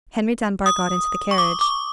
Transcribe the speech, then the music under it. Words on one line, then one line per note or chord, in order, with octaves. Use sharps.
Henry Dunbar got into the carriage.
D#6
C#6
D6
D6